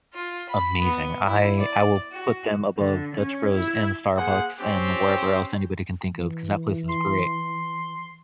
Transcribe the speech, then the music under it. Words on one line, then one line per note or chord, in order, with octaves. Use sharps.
Amazing. I I will put them above Dutch Bros and Starbucks and wherever else anybody can think of, 'cause that place is great.
F4
B5
B3
E4
D5
F#4
D3
C#4
E4
A#3 G#4 C5 F#5
C4 C#4 G4 C5
E3
C6